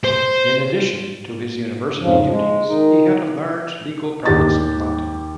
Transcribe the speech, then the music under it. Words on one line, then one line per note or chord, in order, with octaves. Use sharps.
In addition to his university duties, he had a large legal practice in London.
C5
F2 G#2 C#3 F3
G#3
D#3 D#4
D#2 G4 A6